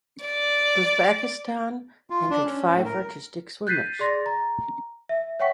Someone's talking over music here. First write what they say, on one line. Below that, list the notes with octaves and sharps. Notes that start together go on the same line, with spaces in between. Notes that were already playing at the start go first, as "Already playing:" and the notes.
Uzbekistan entered five artistic swimmers.
D5
F4
D4
C#4
A2
A#4
F#6 G6 A6 B6 C7 D#7
G#4 D5 C6 A6 A#6
A#5
E5
C#5 E5 F#5 G5 C#6 B6